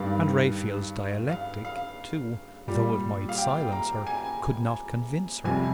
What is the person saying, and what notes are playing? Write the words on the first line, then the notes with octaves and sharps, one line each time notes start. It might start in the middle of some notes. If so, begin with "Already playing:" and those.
And Raphael's dialectic, too, though it might silence her, could not convince her.
Already playing: G2 D#3 G3 F5
F5
F5
A#2 G3
F5
G5
A#5
G#5
F2 C3 G3 G#5